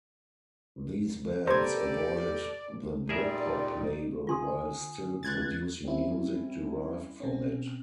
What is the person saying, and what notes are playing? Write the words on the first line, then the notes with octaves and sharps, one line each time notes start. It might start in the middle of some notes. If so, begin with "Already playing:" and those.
These bands avoided the Britpop label while still producing music derived from it.
G4 A4 B4 C5 D5 A#5 G#6
A#2 G3 D#4 G#4 A#4 D5 E5
D3 F4 G#5 C6 D#6
C#2 F#6 G#6 A6
G3 C4 C#4 E4
B2 C4 C#4